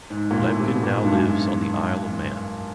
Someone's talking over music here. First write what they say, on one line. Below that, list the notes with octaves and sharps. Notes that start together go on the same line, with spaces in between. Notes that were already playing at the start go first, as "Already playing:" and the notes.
Lampkin now lives on the Isle of Man.
G#2
A#2
A2
C3
B2
A#2
G#2
G2
F#2